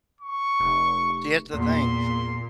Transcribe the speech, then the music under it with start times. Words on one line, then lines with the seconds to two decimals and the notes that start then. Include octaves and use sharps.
here's the thing.
0.21 C#6
0.60 F1
1.53 E2 A#2 C6